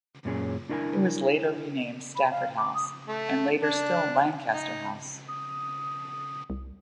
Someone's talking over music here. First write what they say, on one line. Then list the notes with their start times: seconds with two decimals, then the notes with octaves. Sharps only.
It was later renamed Stafford House, and later still Lancaster House.
0.25 F#2 A#2 C#4 G#4
0.69 D4 E4 A#4 E5 G#5
2.16 B5
2.31 F5
2.57 D6
2.75 D#6
3.08 A3
3.60 D4
4.53 D#4
5.28 D#6
6.50 C2